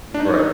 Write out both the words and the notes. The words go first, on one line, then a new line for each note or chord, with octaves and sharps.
M right.
D4
D#4